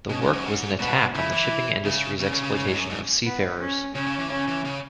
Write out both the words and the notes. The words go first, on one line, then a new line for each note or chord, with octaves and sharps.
The work was an attack on the shipping industry's exploitation of seafarers.
B2 C#4
G#2
F#2
G#2
B2 B3
C#3 E4
E3
C#3
C#3 C#4
C#3
C#3
C#3
G#2
F#2
G#2
B3
C#4
C#3 C#4
C#3
E3
C#3 C#4
E3
C#3